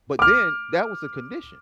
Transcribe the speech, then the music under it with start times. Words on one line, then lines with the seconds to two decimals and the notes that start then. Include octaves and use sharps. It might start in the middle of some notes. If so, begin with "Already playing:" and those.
but then that was the condition.
0.19 D6 F6